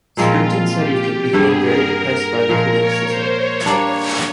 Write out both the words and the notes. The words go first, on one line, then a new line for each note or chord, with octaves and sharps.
Scruton said he became very depressed by the criticism.
A#2 F3 G#3 C4 F4
G4
G2 D3 G3 G#4
A#4
A#2 F3 G#3
C#5
C5
C#5
G3 A#3 D4